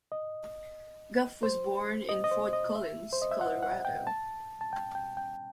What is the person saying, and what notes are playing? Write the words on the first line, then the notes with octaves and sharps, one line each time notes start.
Goff was born in Fort Collins, Colorado.
D#5
C5
D#5
D#5
C5
D#5
E5
C5
D#5
E5
F#5
F#5
G5
A5
A5
G5
G5
G5